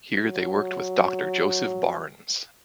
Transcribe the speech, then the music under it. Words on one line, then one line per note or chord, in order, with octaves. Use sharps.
Here they worked with Dr Joseph Barnes.
F#3